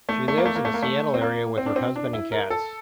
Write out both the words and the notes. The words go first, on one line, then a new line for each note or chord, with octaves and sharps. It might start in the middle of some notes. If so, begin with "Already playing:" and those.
She lives in the Seattle area with her husband and cats.
A3
A3
A#3
A3
A#3
A3
A#3
A3
C4
A#3
C4
D4
C4
D4
E4
A#4
A4